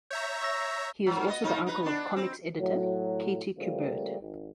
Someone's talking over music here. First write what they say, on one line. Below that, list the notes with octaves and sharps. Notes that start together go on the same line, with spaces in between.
He is also the uncle of comics editor Katie Kubert.
C#5 E5 A#5 G6
C#6 E6 A#6
G#2 F#3
B3 C5 D#5
G#2 D#4
D#4 B4
B3 D4
C4
A2 F#3
C#3 F3 G3 A3 A#3
G#1